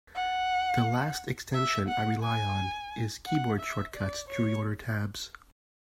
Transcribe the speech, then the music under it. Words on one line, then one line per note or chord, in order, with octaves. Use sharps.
The last extension I rely on is Keyboard Shortcuts to Reorder Tabs.
F#5
E5
F#5
G#5
F#5
E5
D5
C#5